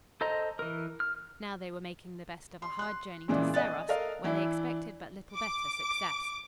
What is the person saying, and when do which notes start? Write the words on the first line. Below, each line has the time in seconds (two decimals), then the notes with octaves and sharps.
Now they were making the best of a hard journey to Serros, where they expected but little better success.
0.21 A4 C5 D#5 A#5
0.59 E3 A#4
1.00 F6
2.62 C6
2.79 C6 F#6
3.28 A#2 C#3 E3 G#3 B3 D4
3.54 D#5 G#5 F#6 A6
3.89 A4 A#4 D#5 F5
4.24 E3 D4 E4
5.34 D6